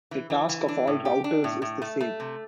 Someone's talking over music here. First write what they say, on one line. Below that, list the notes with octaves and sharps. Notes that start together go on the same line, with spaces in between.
The task of all routers is the same.
E3
E3
E3
D4
A2
G4
D4
A2
A2
A3
A3
C3